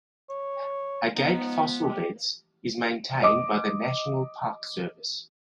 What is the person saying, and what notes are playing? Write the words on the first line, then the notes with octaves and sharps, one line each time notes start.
Agate Fossil Beds is maintained by the National Park Service.
C#5
F3 G#3 B3 D#4
G4
D#5 D6 D#6